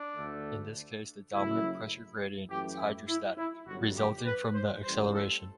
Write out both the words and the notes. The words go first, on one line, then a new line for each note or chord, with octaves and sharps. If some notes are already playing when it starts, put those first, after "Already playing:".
In this case the dominant pressure gradient is hydrostatic, resulting from the acceleration.
Already playing: D4
D2 D3 A3
F#1 F#2 F#3 A3 E4
F#2 E3 A3 G4
E4
E4
E4
G1 F#2 F#3 F#4
G4
B4
C5
A1 A2 G3 C5
A4